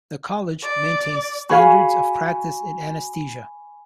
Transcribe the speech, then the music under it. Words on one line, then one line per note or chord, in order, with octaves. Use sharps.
The College maintains standards of practice in anaesthesia.
D5
F#4 G#4 F5 G#5 B5 C#6